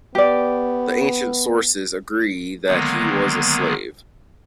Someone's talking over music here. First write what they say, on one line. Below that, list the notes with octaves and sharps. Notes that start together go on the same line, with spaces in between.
The ancient sources agree that he was a slave.
B3 G4 D5
D3 D#3 F#3 G#3 A#3 B3